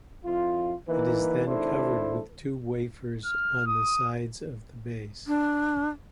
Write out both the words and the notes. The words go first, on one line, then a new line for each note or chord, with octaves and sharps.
It is then covered with two wafers on the sides of the base.
F2 E4 F4
E3 A#3 D#4 E4 B4
G#1 D4 E4 A4 C5
F6
D#6
D4